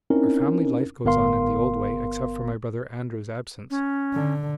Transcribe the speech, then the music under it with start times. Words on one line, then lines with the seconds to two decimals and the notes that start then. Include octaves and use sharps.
Our family life goes on in the old way except for my brother Andrew's absence.
0.10 C4 C#4 D#4 E4 A#4
1.05 G1 B3 A#4 F5 C6
3.70 C#4
4.14 D3